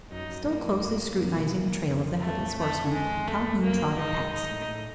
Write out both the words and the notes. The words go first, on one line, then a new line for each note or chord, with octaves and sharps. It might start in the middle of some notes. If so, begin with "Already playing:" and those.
Still closely scrutinising the trail of the Headless Horseman, Calhoun trotted past.
F#2 D#4
F#2
G2 A#3
F2
F#2
F#2
B2
F2
A3
A3
G#3
A3
F#2 A#3
G#2 D#4
G#2 D#4
A2
A2